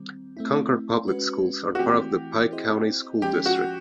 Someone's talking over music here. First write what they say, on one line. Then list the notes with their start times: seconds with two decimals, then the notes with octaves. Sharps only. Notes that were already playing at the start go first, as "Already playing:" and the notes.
Concord Public Schools are part of the Pike County School District.
Already playing: D#3 G3 C4
0.37 A3 C4 E4
1.08 G#3 C#4 F#4 B4
1.75 F#4
1.79 E3 A3 C4 E4 G4
2.51 C4 E4 G#4 C5 D#5
3.22 F3 G#3 C#4 F4 G4
3.46 F#4